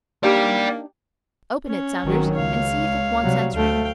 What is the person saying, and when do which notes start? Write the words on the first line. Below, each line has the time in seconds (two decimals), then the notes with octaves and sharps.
"Open it, Saunders, and see if it wants answering."
0.23 A#3 D4 D#4 G4 D5 G5
1.67 C#4
2.03 G#1 D#3 F#3
2.35 C#2 C#5 F5
3.23 C3 F#3 G3
3.53 D2 A3 F5 G5